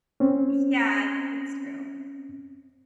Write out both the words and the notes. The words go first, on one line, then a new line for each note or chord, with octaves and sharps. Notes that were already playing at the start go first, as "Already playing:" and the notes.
Yeah, that's true.
C4 C#4